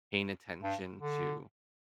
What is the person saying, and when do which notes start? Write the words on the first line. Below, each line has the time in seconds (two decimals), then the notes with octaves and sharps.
paying attention to
0.63 G2
1.00 D3